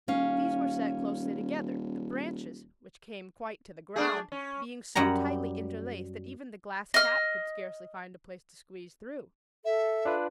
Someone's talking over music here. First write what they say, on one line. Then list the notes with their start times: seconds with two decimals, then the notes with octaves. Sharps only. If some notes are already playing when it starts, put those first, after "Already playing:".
These were set closely together, the branches, which came quite to the ground, being so tightly interlaced that even the Glass Cat could scarcely find a place to squeeze through.
0.08 D#1 C#4 F5
3.96 A3 D4 G#4
4.32 C#4
4.95 F#2 G3 F#5 A#5
6.94 D#5 F6
9.65 A4 E5
10.05 D4 F4 B4